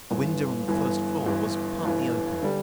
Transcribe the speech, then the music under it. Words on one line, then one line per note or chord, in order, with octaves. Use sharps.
A window on the first floor was partly open.
G1 G2 E3
G1 G2 E3
G1 G2 E3
G1 G2 E3
D3 G3